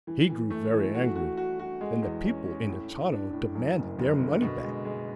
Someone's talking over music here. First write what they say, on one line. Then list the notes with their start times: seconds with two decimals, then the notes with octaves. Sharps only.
He grew very angry, and the people in the tonneau demanded their money back.
0.07 E3
0.29 E3
0.50 A3
0.73 E3
0.95 F#4
1.16 F#4
1.37 F#4
1.59 F#4
1.81 G#3
2.02 E2
2.25 C#4
2.46 C#4
2.68 A2
2.90 A2
3.12 D4
3.33 A2
3.55 F#2
3.77 F#1
3.99 F#1
4.20 D3
4.42 B2
4.63 G#3
4.85 G#3